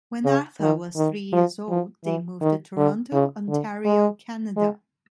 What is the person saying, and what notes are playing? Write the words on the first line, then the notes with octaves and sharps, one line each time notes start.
When Arthur was three years old, they moved to Toronto, Ontario, Canada.
C#3
D#3
D#3
F3
F3
E3
D#3
D3
C#3
D3
G#3
G#3